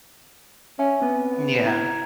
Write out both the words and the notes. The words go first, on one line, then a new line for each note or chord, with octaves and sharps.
Mm, yeah.
C#4 E5 G#5
B3 C4
E4 A#5 G#6